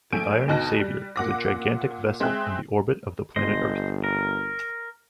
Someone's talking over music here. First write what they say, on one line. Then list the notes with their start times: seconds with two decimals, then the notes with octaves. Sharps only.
The Iron Savior is a gigantic vessel in the orbit of the planet Earth.
0.12 A#1 A3 G#5 G6 D7
0.48 D2 B2 D#4 A5 F#6 A#6
0.79 G3
1.16 A#2 F#5 D6 A#6
2.20 G#3 C4 G#4 E5 G5 F#6
3.36 G1 C5 D#5
4.04 A#4